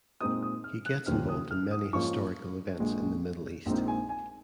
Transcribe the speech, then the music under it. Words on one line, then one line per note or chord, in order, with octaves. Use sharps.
He gets involved in many historical events in the Middle East.
A#2 G#3 C4 D#4 D#6
D#6
F6
F#6
F1 D#2 C#3 F3 F6
D#6
F6
D#6
G#2 F3 A#3 C#4 F4 C#6
A#1 A#2 G#3
A#1 A#2 G#3 C4 D#4
G#5
G#5